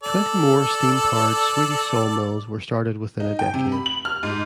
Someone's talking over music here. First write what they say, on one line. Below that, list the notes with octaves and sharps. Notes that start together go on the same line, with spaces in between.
Twenty more steam powered Swedish saw mills were started within a decade.
A4 D5
D#4
G5
C3
B5
F#7
F6
G#2